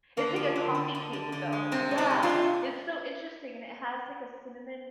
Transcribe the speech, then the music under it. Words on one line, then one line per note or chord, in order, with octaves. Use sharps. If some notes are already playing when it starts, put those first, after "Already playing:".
It's like a coffee cake, though. Yeah. It's so interesting and it has, like, a cinnamon,
D3 A#3
F3
D3
D3
D3
D3
D3
G#3
C3 C4
G#3
C4 D#4
C3
D4 F4
C3